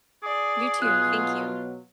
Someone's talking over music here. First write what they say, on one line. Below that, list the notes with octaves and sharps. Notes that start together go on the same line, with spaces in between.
You too. Thank you.
G#4 D5
B2 F#3 F4 F#6